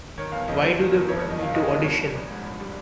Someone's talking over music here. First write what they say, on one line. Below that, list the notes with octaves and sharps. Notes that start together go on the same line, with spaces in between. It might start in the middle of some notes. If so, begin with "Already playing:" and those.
Why do they want me to audition?
D#3 C#5
G1 F5
F2 D#5
G3 C5
D#3
G1
F2 C#5
G3 C#5
D#5
D#3 F5
G1 D#5
F2 D#5
G3 C#5
G3
A#1
G#2
A#1
G3